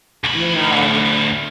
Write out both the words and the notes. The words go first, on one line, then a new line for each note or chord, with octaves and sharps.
you know,
D2 B5